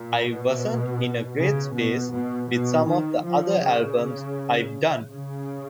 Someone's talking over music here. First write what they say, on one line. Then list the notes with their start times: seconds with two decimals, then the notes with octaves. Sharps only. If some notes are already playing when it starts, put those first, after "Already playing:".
I wasn't in a great space with some of the other albums I've done.
Already playing: A#2
0.26 B2
1.37 C#3
1.74 B2
2.12 B2
2.49 B2
2.87 D#3
3.24 F3
3.61 C#3
5.11 C#3